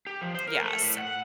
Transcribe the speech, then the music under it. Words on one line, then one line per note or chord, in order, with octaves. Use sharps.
yeah, so
G4
F3
C5
A#4
A3
A2
F#5